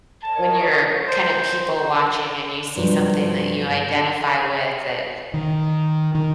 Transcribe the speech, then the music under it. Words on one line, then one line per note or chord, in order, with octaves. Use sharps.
when you're, kind of, people watching, and you see something that you identify with that
A#4 C#5 D#5 A5
C5
G2 C3 F3 F#3 G#3
D#3
D#3